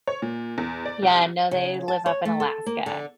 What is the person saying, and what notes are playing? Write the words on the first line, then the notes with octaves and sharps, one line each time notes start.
Yeah, no, they live up in Alaska.
C#5
A#2
E2
D5
C2
C#3
A5
C#5
A3
A4
A#3
D3